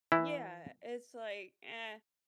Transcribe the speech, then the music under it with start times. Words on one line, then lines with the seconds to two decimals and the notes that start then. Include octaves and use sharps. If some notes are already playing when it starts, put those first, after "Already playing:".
Yeah, it's like, "Eh,
0.12 E3 E4